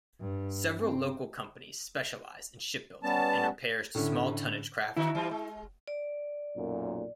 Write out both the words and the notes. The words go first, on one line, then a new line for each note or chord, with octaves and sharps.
Several local companies specialise in shipbuilding and repairs to small tonnage craft.
G2
C4
G3 B3 C#4 A5
A2 D3 C#4 E4
D3 E4 F#4
E3 G3 F4
G#3
D5
B1 F#2 A#2